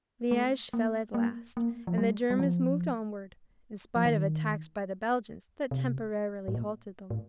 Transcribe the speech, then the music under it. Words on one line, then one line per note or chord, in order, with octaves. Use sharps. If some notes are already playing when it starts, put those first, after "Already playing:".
Liege fell at last, and the Germans moved onward, in spite of attacks by the Belgians that temporarily halted them.
A3
A#3
A#3
A#3
F3
G3
G3
F3
F3
D#3
C3
A2
A#2
A2